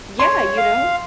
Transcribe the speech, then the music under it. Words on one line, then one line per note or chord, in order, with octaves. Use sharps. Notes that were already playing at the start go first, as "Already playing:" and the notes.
Yeah, you know?
C#5 C6
F5